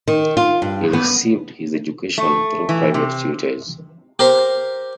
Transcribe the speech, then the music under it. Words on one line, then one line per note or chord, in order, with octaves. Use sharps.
He received his education through private tutors.
D#3
F4
G2
B3
A3
E3
C3
G4 A#4 C5